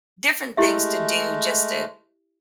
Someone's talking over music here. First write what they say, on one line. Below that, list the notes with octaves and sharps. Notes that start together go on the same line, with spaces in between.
different things to do just to
G#3 A3 E4 G4 E5